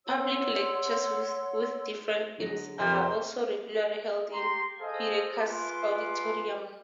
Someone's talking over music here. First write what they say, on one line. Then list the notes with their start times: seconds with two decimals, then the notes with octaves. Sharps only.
Public lectures with different themes are also regularly held in Heureka's auditorium.
0.06 C#5 F#5 C6 E6
2.38 D3 F#3 A#6
2.79 F2 C3 A#4 C6
4.33 G4 A#5 C6
4.80 G#4 A4 C5 D#5 F5
5.39 F4 G#4 B4 C6 D6